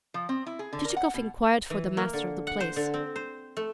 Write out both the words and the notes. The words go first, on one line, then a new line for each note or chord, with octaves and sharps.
Chichikov inquired for the master of the place.
F3
C4
E4
G#4
D3
A#4
F#5
B2
E3
A#3
D3
F#5
C5
D3
C4
C5
A3